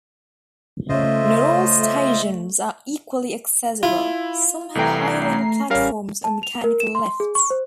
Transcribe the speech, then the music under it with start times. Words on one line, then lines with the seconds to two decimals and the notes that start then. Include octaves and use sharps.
Not all stations are equally accessible; some have high-level platforms or mechanical lifts.
0.89 C#3 A3 F4 C5 C#5 D#5 E5
1.80 E5
3.83 E4 F4
4.75 C2 E3 A3 G5 A#5 C7
5.70 A1 G3 C#4 A#4 F5
6.24 A5
6.43 F7
6.64 A#4
6.80 E7
6.95 C6
7.20 G#4
7.35 C#6
7.50 C5